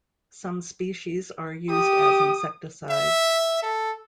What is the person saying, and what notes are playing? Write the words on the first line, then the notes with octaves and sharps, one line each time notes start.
Some species are used as insecticides.
G4 D#6
E5
A4